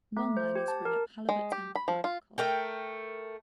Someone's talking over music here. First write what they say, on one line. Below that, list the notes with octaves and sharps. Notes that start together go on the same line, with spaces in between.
Longliners bring up halibut and black cod.
A3
C5
G4
A5
A#4
G#3
G4
B5
F3
F4
A3 A#4 G5